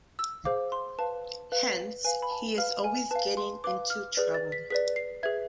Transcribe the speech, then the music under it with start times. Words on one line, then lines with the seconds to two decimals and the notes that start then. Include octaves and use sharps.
Hence, he is always getting into trouble.
0.19 E6
0.45 G#4 C5 F5 D6
0.72 C6
0.99 B4 F5 A5
1.52 B4 F5
2.04 B4 F5 G#5
2.22 B5
2.31 A5
2.58 B4 F5 F6
2.84 G#5
3.11 B4 F5 A5
3.37 C6
3.64 B4 F5 D6
3.90 F6
4.17 G#4 B4 D5
4.34 A6
4.52 B6
4.70 G#4 B4 D5 B6
4.96 C7
5.23 G#4 B4 E5 G#6